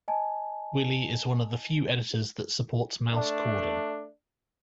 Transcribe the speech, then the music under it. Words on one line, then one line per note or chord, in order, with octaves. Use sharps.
Wily is one of the few editors that supports mouse chording.
D#5 G#5 A5
A3 D4